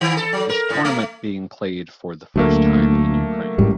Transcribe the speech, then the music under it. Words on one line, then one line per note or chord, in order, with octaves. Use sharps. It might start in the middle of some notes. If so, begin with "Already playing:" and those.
This tournament being played for the first time in Ukraine.
D#3
A4
F#3
A#4
A2
A3
D2 F#3 A3 A#3
A1 G#2 G3